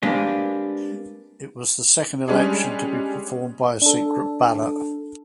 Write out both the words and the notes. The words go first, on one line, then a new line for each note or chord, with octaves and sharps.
It was the second election to be performed by secret ballot.
G#3 A#3 C4 D4 G4 B4
G3 G#3 C#4 D4 G#4
D4 A4